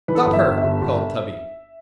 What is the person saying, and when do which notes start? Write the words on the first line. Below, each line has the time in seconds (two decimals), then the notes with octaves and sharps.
'Stop her! called Tubby.
0.08 E3 B4
0.15 A4
0.23 B4
0.27 G1
0.33 E5
0.45 G1
0.57 E5
0.64 G1
0.82 G1